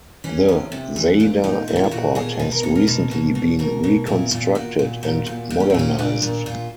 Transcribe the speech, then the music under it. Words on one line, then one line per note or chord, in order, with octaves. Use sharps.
The Zadar Airport has recently been reconstructed and modernised.
E3 C#4
C3
C3
E3
A#2 D4
A#2 D#4
A#2 E4
F4
E4
A#2 F#4
B2 G#4
B2 B4
A#4
B2 A4
A#4
B2
B2
B2
B2 A#4
B2
A#2 E4
A#2 F4
A#2 F#4
A#2
A#2
A#2
A#2 D4
C#4
C4
A#2 C#4
A#2 D4
A#2 D4
A#2 F4